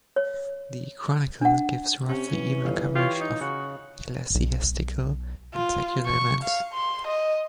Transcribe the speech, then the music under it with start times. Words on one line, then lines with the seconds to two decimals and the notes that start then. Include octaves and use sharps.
The "Chronicle" gives roughly even coverage of ecclesiastical and secular events.
0.16 C#5
1.41 D4 F#5
2.09 C3 C#4
2.32 E3
2.63 G1 F5
2.95 F4 G4 C#5
3.20 D#4
3.41 C#3 F#4
4.35 B1
5.54 F4
6.06 C#6
6.43 F5
6.74 C6
7.07 D#5